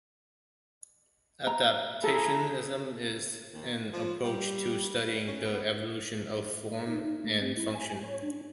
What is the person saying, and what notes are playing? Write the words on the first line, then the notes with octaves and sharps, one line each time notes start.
Adaptationism is an approach to studying the evolution of form and function.
A#5
E4 G#4 A4 A#5
D#2
F3
G3
C#4
B3
D#4
A3
C4
E4
G#5
C#5
D4